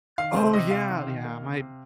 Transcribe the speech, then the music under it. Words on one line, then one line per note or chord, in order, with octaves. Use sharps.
Oh, yeah, yeah, my
D#3 F5
C3 C5
C3 D#5
C3 F5
D#3
D#3
A#3
C3
C3